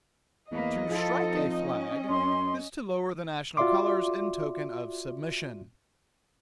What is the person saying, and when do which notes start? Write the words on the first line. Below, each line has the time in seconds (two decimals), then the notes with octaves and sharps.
To "strike a flag" is to lower the national colors in token of submission.
0.51 E2 A#3 B4 D#5
0.89 F3 E4 F4 A4
1.27 C4 D#4
1.60 C#4
2.10 F#2 C6
3.57 F4 F#4 D5 E5 C6 D6